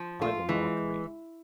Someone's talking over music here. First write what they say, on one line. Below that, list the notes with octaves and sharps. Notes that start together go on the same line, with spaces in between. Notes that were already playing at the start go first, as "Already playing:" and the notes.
Idle mockery.
Already playing: F3
A3 F4
E3 G#3